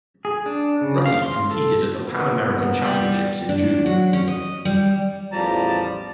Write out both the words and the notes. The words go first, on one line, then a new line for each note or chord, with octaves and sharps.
Rutty competed at the Pan American Championships in June.
G#4
D4
C#3
F5
C6
A4
C3 A#3 B3
G3
D4
F#3
C#4
D#5
G3
A1 E2 F3 G3 A5 A#5